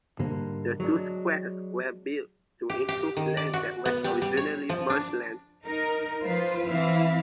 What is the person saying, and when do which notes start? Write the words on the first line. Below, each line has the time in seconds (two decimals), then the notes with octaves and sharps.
The two squares were built to improve land that was originally marshland.
0.19 G#2 D3 G3 A#3
0.80 F#3 G#3 D4
2.70 G4
2.88 G4
3.17 D#3
3.37 D5
3.53 F#4
3.85 B3
4.04 G3
4.22 G3
4.37 C#5
4.69 F3
4.90 D4
5.65 D#4 A#4
6.24 F3 F4 B4 C5
6.66 E3 C4 E4 F5